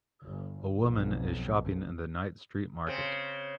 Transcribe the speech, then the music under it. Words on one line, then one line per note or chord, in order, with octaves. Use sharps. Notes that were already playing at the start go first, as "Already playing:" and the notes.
A woman is shopping in the night street market.
G1
B1 F2
C#3 C4